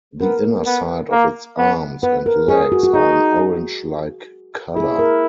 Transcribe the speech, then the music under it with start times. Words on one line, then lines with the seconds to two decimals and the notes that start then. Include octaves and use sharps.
The inner side of its arms and legs are an orange-like color.
0.21 B3 A#4
0.66 B3
1.12 A#3
1.58 B3
2.03 B3 B4
2.26 A#4
2.48 C#4 G#4
2.72 F#4
2.83 F#4
2.94 D#4 G#4
4.76 E4 G#4
4.99 A#4